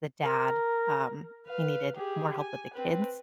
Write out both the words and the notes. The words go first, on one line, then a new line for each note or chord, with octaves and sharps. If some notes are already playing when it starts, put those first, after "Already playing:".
the dad, um, he needed more help with the kids.
A#4
B4 F5
G4 G#4
G#5
C4 B4